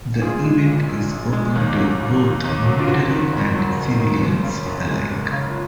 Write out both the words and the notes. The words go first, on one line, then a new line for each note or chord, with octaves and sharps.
The event is open to both military and civilians alike.
A#1 F4 G#4
G#3
A#2
A#1
A#1
G#3
D#2
F#3
C#3
D#2
D#2
F#3
F4
F#1 F#4
D#3
F2
F#3
F#1
D#3
F#1
C#3
F#2
G#3
F#1
C#3
F4